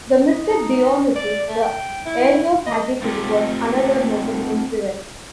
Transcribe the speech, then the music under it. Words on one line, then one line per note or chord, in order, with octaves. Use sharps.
The mystic Dionysius the Areopagite was another notable influence.
D#5
D#4
D5
A3
G5
E4
D#5
A3 C4 D#4 F4 G4